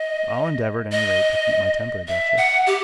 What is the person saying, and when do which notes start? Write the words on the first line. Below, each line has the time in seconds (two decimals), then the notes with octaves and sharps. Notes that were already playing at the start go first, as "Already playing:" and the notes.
"I'll endeavour at any rate to keep my temper, Duchess."
Already playing: D#5
0.92 D#5
2.08 E5
2.37 F#5
2.66 G4